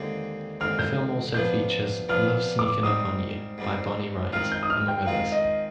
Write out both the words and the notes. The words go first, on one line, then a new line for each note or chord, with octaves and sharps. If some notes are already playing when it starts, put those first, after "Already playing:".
The film also features "Love Sneakin' Up On You" by Bonnie Raitt, among others.
Already playing: D#2 D3 G#3 C4
D#2 D3 G#3 C4 F6
G6
C3 F3 B3 D4 G6
C3 F3 B3 D4 F6
D6
G#2 G3 C4 D#6
G#2 G3 C4
D#3 G#3 C4 F4 F6
G6
D#6
F6
G5
D#3 G#3 C4 F4 F5
D#5